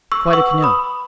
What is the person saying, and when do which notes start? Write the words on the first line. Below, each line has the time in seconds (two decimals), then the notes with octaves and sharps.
"Quite a canoe."
0.12 C#6 E6
0.32 B4 F#5 C#6 E6
0.62 B5 D#6